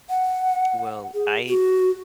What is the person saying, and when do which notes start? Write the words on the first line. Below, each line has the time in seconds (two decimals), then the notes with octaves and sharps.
Well, I
0.10 F#5
1.14 G#4
1.49 F#4